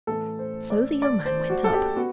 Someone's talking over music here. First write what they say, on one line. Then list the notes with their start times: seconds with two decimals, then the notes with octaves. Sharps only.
So the young man went up.
0.07 A2 E3 A3 A4
0.39 C5
0.70 D5
1.02 D5
1.26 C5
1.50 F#4
1.64 A4
1.73 G4
1.97 B3 F#4